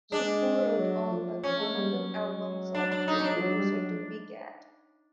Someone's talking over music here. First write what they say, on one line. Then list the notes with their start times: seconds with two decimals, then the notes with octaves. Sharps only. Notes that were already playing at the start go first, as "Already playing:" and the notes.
She co-wrote all but one of the album's songs with producer Toby Gad.
0.12 G#3 D4
0.78 F#3
1.10 F3
1.44 C#4
1.60 G#3
1.76 G3
1.93 F#3
2.75 D4
2.91 D4
3.08 D#4
3.19 C#4
3.24 D4
3.35 F3
3.41 F#3
3.57 G3
3.73 F#3
3.90 F3